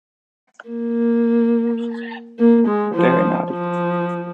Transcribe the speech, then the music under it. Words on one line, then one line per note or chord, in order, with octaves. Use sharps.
Very naughty.
A#3
A#3
G#3
F3
F3